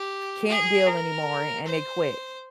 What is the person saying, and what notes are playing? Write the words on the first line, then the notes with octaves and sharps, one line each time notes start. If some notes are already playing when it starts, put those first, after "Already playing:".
can't deal anymore, and they quit.
Already playing: G4
G#4
A#4
C5